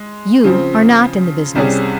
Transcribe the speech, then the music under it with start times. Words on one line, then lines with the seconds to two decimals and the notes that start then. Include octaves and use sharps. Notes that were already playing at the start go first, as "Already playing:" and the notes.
You are not in the business.
Already playing: G#3
0.44 C#3 F3 C4
1.55 C2 C3 G3 C#4 G#4